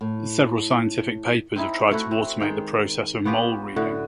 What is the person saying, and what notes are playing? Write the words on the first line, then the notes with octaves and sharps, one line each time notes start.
Several scientific papers have tried to automate the process of mole reading.
A2
C4 D#4 E4
A3 E4 F#4
C4
D#3 G#3 G5
B3 C#4 F4 G4
A2 D3 F#4